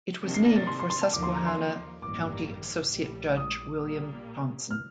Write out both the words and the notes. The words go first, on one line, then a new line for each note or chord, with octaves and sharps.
It was named for Susquehanna County associate judge William Thompson.
C3 D#3 A#3 D4
C7
A#6
A6
C6
C6
C6
A5
D#2 D3 F3 A#3 D#4 D6
C6
A#5
C6
A1 G2 D#3 G3 A#3 D6
A#1 A2 G3
D#6
A#2 G3 A#3
F6